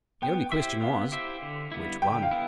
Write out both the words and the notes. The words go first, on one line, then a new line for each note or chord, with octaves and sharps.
The only question was, Which one?
B3 G5
E4 G4 C5 E5
B3 F5
E4 G4 C5 E5
D3
G3 B3 E4
D3 G5
F5
B3 E4